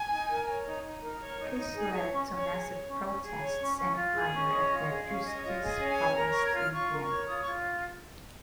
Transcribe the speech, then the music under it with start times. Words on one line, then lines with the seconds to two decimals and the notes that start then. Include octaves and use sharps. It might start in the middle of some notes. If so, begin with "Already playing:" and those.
This led to massive protests and a fire at the "Justizpalast" in Vienna.
Already playing: G#5
0.09 D#4
0.28 A#4
0.46 C#5
0.65 D#4
0.83 D#4
1.02 A#4
1.20 C#5
1.38 D#4
1.57 D#4
1.75 G#4
1.94 C#5
2.12 C#4
2.30 C#4 C#5
2.48 G#4
2.68 C#5
2.86 C#4
3.04 C#4
3.22 G#4
3.40 C#5
3.59 C#4
3.77 C#4
3.95 F4
4.14 G#4
4.33 C#4
4.51 C#5 D#5
4.69 F4
4.78 D#5
4.88 G#4
5.06 C#4 F5
5.24 C#5 D#5
5.42 F4 D#5
5.61 G#4 D#5
5.79 C#4
5.89 G#5
5.98 C#5
6.16 A#4 A#5
6.31 C#5 C#6
6.43 G#6
6.53 F4 F6
6.71 F4 C#6
6.90 A#4
6.99 C#6
7.09 C#5
7.27 F4 D#6
7.40 F4 C#6